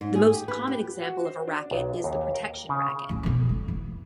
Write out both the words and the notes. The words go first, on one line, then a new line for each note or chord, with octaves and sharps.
The most common example of a racket is the protection racket.
G#2
G#4
G4
B4
G4
F#4
C5
D4
B1
D#2
A#4
C#3
A1 D2
F2 B2
F1 G3
E3